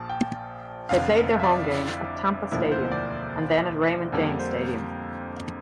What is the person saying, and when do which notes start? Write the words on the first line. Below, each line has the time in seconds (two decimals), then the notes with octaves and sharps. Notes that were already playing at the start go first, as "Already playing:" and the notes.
They played their home games at Tampa Stadium and then at Raymond James Stadium.
Already playing: A#1 A#2 F3 A5
0.09 G5
0.89 F1 F2 D3 F5
1.40 E5
1.44 D5
1.70 E4
2.51 E1 D2 D3 F3 A#3 E4
2.72 C5
2.92 D5
4.12 F2 D3 G3 A#3 A4
4.39 C5